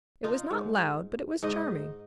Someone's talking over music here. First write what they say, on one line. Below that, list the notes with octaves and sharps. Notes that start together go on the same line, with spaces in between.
It was not loud, but it was charming.
D#4 F4
G#2
G#2 D#4 D#5